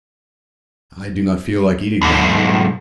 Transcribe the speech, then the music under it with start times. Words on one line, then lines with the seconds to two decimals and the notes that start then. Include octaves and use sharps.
I do not feel like eating now.
2.02 B1 G#2